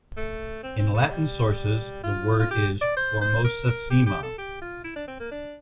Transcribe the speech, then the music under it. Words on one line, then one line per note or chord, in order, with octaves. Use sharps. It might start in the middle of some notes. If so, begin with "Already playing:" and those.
In Latin sources, the word is "formosissima".
A3
C4
C4
A3
G3
F4
F4
G4
D5
C5
C5
A#4
A#4
G4
G4
A4
G4
F4
E4
D4
C4
A#3
D4